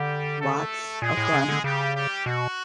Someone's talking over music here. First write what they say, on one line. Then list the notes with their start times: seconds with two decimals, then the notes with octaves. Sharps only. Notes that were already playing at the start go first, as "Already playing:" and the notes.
Lots of fun.
Already playing: D3 G3 G4
0.40 A3 A4
1.01 A#2 G#3 G#4
1.17 A2
1.33 C#3
1.49 D3
1.64 C#3 G3 G4
1.95 G3 G4
2.26 B2 F#4